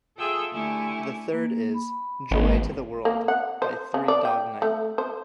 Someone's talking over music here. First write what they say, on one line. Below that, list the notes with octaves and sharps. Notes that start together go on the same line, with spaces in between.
The third is "Joy To The World" by Three Dog Night.
F4 G#4 A4 E5 G5 E6
D3 A3 E4 G4 G#5 C#6
A#3
B5
G#1 A#3 B4 D#5
A#3
F#5
C5
C#3
D5
G5
A3
C5